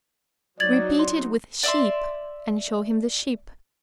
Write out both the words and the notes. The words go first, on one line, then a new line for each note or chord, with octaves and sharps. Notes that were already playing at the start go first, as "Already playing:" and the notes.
Repeat it with "sheep" and show him the sheep.
F#3 D#4 D5 G#6 A6 F#7
C6
D5 E5 C6